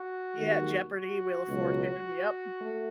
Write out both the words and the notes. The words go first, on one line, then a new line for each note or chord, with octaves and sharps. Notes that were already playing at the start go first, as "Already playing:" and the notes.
Yeah, Jeopardy, Wheel of Fortune, yup.
Already playing: F#4
D#2 D#3 G#3
F#4
C#2 B2 F#3
A3